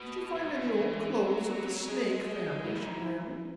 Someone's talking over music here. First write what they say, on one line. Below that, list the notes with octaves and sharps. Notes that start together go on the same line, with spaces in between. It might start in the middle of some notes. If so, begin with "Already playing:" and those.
"Did you find any old clothes of the Snake family?" she demanded.
Already playing: B2
B2 E4
G#2
B2
C#3
E3
F#3
F#4
G#3 G#4
G#4
F#3 E4
G#2
E4